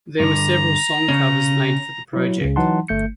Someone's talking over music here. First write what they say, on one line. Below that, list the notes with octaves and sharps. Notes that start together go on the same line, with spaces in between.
There were several song covers made for the project.
G2 D3 A#5
C#3 C#4
F#3 E4
C#2 C#3
E3 F#3 D#4 F#5 A5 C6
G1 A3 G6 C#7